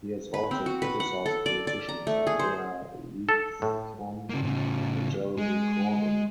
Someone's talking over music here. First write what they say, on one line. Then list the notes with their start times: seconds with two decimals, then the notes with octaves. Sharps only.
He has also criticised politicians Andrea Leadsom and Jeremy Corbyn.
0.34 B4
0.51 C4
0.66 F#4
0.82 B4
1.00 F#5
1.26 A4
1.46 D5
1.67 D5
1.89 A#5
2.07 A3
2.27 G#4
2.39 C5
3.29 A4
3.62 A2
4.30 C#3 A#3
4.43 A2 C#3
5.38 G#3